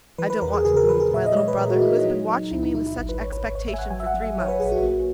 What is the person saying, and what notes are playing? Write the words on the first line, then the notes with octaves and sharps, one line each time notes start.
I don't want to wound my little brother who has been watching me with such expectation for three months.
E3 B4
B4
E2 A#4
G#4
C#3 G#4
A#4
E3 B4
G#4
A#2 E5
D#5
G#3 C#5
B4
A#2 A#4
F#4
A#2 E4
D#4
F#3
F#3
C#2 E4
D#4
F#3 E4
E4
G#1 E4
B4
G#1 C#5
B4
G#1 C#5
C#5
G#1 E5
G#5
F#5
F#3 G#5
E5
F#5
F#3
E5
F#3 C#5
B4
A#1 G#4
F#4
A#3